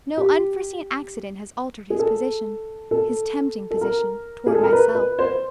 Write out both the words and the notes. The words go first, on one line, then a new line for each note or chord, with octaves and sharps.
No unforeseen accident has altered his position--his tempting position--toward myself.
G4
G#4
A4
A4
A4
A#4
G#4
A4
A#4
B4
B4
C5